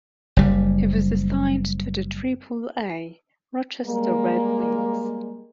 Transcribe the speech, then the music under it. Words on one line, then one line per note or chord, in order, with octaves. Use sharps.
He was assigned to the Triple-A Rochester Red Wings.
F#1 G3
G3 G#3 A#3